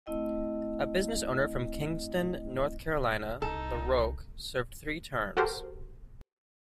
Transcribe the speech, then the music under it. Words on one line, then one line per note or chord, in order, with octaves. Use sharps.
A business owner from Kinston, North Carolina, LaRoque served three terms.
A3 C4 E4 D#5 G5
C2 D#4 A4
F#4 G4 A4 A#4 C5